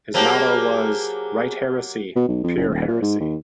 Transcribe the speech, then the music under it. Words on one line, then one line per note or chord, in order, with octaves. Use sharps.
His motto was: 'Write heresy, pure heresy.
F#3 A#3 G4 G#4 C5 A5 A#5
B2
B1
F2
F#1
D#1
A#2
G#2
D#2